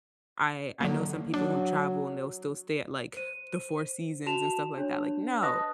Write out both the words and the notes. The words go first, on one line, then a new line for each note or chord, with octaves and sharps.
I I know some people who travel and they'll still stay at, like, the Four Seasons and stuff like that, like, "No,"
D3 F#3 A#3
F#3 D4
C5 D#7
F#4 A5 E7 F7
D4 C#5
B4 D#5 A5 D#6 F#6 A#6